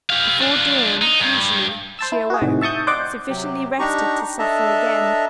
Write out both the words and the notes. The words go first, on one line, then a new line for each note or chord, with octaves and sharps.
Before dawn, usually, she awoke, sufficiently rested to suffer again.
G4 F5
D4 F4
D#4
G2
C5 A5 E6
E4
F#4 G#4
A2 C3 D#3
E5 A5 C#6 D#6 G6
C5 D5 D#5 F#5 G5 D6
C3 F#3 G4
D4 D#4 G4 A#5 C#6
D4 A4 D#5 E5 A5 A#5